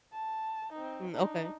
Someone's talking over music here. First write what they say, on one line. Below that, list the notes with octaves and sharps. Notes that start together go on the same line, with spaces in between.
Mm, okay.
A5
C4 D#4
D4 D#4